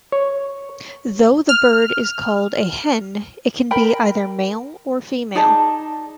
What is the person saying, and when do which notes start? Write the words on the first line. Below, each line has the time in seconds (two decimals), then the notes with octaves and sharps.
Though the bird is called a "hen", it can be either male or female.
0.12 C#5
1.49 F6
3.71 A#4 G5 B5
5.35 D#4 G#4 D5 A5